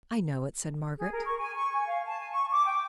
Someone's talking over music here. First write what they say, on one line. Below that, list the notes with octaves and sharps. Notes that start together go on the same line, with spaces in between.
'I know it,' said Margaret.
G#4
A#4
C#6
G#5
C#6
G#5
F5
A5
G#5
C#6
D6
G5